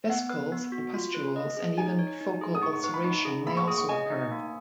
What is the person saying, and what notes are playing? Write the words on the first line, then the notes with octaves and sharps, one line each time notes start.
Vesicles and pustules and even focal ulceration may also occur.
B3 F#5
B4
B3
F#4
F4
B4
D#5
G#4
D#4 G#5
C#5
D#4
G#4
D#6
D#4 C#6
C#6
B4 C#6
B5
D#4 C#6
G#4
A#3 B5
C#6
G#4 D#6
C#6
D#5 G#5
D#4
A#3